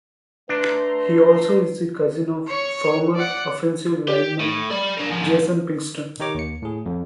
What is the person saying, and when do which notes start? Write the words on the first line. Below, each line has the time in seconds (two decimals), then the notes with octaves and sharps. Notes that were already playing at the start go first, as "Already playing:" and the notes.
He also is the cousin of former offensive lineman Jason Pinkston.
0.49 A3 D4 B4 A#5 C6
2.47 C#5 C#6
3.15 D5 F#5
4.08 G4
4.40 A2
4.71 D5 B5
4.97 D4 A#4
5.09 G#2 F3
6.20 D#3 D#4 G4 C#5 A#5 D6
6.35 D#2 C#7
6.62 A2 G#4
6.86 F2